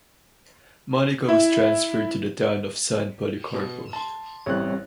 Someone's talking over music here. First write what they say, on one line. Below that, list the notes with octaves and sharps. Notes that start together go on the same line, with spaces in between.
Monica was transferred to the town of San Policarpo.
E4 E5
B2
A5 C6
A1 G3 C4 C#5 F#6